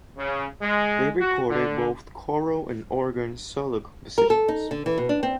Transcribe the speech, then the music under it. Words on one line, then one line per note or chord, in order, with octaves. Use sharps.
They recorded both choral and organ solo compositions.
C#3
G#3
F#4
D3
A#4
A4
D#4
D3
E3
B2
D4
C4